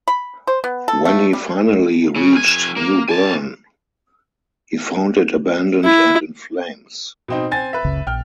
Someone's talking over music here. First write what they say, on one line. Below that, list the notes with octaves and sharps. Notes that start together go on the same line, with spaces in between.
When he finally reached New Bern, he found it abandoned and in flames.
B5
C5
B3
A4
A3
G3
C#3
F2 G#5
A#3
G#5 A5
E4
B2 C4 D#4
C4 G#5 A6
B4 E5
F#1 C#2 C#3
A#1 G5 F6